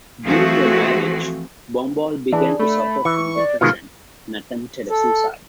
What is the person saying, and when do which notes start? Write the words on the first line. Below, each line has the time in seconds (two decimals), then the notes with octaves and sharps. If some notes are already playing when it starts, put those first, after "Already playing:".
During their marriage, Bombal began to suffer from depression, and attempted a suicide.
0.23 E3 F3 A3 C4 F#4 G#4
2.32 E3 D4 G#4
2.59 A3 B5
3.05 E3 C#6
3.36 D5
3.61 B2 D#3 G#3 F4 F6
4.89 A4